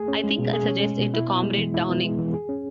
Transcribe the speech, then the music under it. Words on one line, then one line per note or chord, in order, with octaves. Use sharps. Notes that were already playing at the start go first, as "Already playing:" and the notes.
I think I'll suggest it to Comrade Downing.
Already playing: A3 G#4
C#4
G#3
B2
G#4
C#4
G#3
B2
E4
B3
G#3
E3
E4
B3
G#3
E3
G#4
C#4